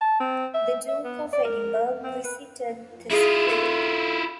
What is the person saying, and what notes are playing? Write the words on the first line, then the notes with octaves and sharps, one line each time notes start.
The Duke of Edinburgh visited the school.
A5
C4
E5
E5
B3
D5
A#4
C4
B4
E4 F4 G#4
A4